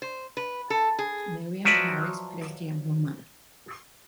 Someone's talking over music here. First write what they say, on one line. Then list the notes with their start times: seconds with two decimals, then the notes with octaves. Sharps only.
Mariam Parris plays the young woman.
0.02 C5
0.37 B4
0.70 A4
0.99 G#4
1.65 F3 F#3 F#4 B4 D5 E5